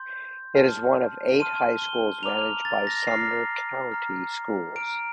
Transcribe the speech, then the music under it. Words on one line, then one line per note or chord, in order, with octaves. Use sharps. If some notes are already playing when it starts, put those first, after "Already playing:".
It is one of eight high schools managed by Sumner County Schools.
Already playing: C6 G6
A5 C6 F6
A5 C6 F6 D#7
G7
A#5 D6 F6 F7
A6
A#6
A#5 D6 F6 C7
A#5 F6
A#5 F6 D7